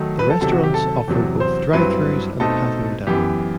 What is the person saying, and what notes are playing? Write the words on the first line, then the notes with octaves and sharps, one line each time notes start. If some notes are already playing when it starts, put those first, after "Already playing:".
The restaurants offered both drive-thrus and patio dining.
Already playing: D#3 F#3 A3 D#4
B4
A4
C3 D#3 F#3 A4
F#4
G4
A4
E2 C3 F#3
C5
G2 F#3 C4 E4 B4
B2 A3 C4 D#4 A4
F#2 E3 B3 G4